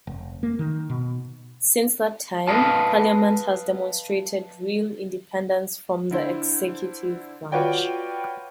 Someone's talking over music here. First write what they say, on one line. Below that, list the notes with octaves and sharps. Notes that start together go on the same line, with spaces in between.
Since that time, Parliament has demonstrated real independence from the executive branch.
F1
A#3
D#3
B2
B4 D#5 F5 A5
D3 E4 C5
F4 F#4 B4 C#5 D5 G5